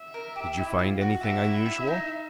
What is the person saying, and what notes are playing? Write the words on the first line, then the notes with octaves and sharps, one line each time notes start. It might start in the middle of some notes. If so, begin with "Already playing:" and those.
"Did you find anything unusual?"
Already playing: E5
A#4
G4
E4
F4
F#4
F#4 E5
E4
E4
D#4